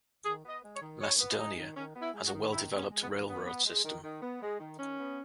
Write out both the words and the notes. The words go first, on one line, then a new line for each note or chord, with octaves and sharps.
Macedonia has a well-developed railroad system.
D#3 G#4
B3
D#5
G#3
C#5
D#3
D#3 C#5
B3
G#3 D#4
D#3
D#3 C#4
B3
E4
G#3
F#4
D#3
D#3 E4
B3
C#4
G#3
B3
D#3
D#3 B3
B3
G#3
D#3
D#3
B3
G#3
D#3
D#3 C#4
B3